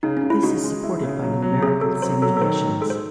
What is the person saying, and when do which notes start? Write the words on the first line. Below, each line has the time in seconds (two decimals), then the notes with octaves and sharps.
This is supported by numerical simulations.
0.03 C#3 D#4
0.17 C#4
0.23 C#3
0.30 E4
0.43 D#4 F#4
0.64 G#3
0.83 E4
1.03 C#3
1.22 F#3
1.42 F#3
1.62 C3 G#4
1.81 F#3 A4
2.02 F#3 C5
2.22 F#3 A4
2.37 A4
2.41 D#3 C5
2.61 D#3
2.81 G#3 A4
2.90 C5